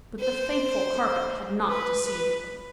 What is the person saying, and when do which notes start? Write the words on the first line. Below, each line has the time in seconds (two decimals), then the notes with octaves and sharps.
But the faithful carpet had not deceived them.
0.20 C5
1.69 B4
2.05 B4